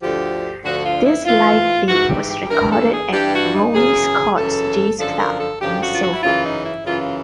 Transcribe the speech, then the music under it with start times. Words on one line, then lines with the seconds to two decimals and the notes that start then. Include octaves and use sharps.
This live date was recorded at Ronnie Scott's Jazz Club in Soho.
0.01 D2 D3 F3 G4
0.63 D2 D3 F3 F#4
0.84 F4
1.04 E4
1.25 G#2 E3 F4
1.87 G#2 E3 F#4
2.08 G4
2.29 G4
2.49 G2 E3 A#4
2.71 A4
2.91 G#4
3.12 G2 E3 G4
3.33 F#4
3.54 D#4
3.74 F#2 C#3 E3 G#4
4.36 F#2 C#3 E3 A4
4.98 F#2 D3 F3 A4
5.19 A#4
5.40 A4
5.60 F#2 D3 F3 G4
5.82 F#4
5.93 F4
6.02 F#4
6.12 E4
6.22 F#2 C#3 E3 F4
6.44 D#4
6.64 E4
6.85 F#2 C#3 E3 F4
7.00 F4